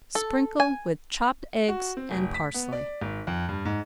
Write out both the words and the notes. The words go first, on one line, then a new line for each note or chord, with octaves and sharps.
Sprinkle with chopped eggs and parsley.
A4
G#5
F#4
C4
F1
B6
B3
D5
G#1
F2
G2
G#2